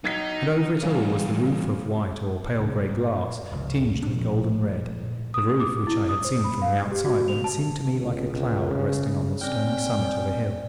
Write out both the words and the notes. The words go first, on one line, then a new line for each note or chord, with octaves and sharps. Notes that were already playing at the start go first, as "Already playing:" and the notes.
And over it all was the roof of white or pale gray glass tinged with golden-red--the roof which I had seen from the outside when it seemed to me like a cloud resting on the stony summit of a hill.
B1 D#4 G#6 B6
E2 G2 C#3
D2 C3
G#2
F1 C#2 G#2 C#3
A#2 D4
D2 A#2 F3
D#6
D6
E4
D#6
C5
B5
F5
G#6
G4
F#4
F7
A5
C#2
C#2
C#3
C4 C#4 D#4 D5 G5 F6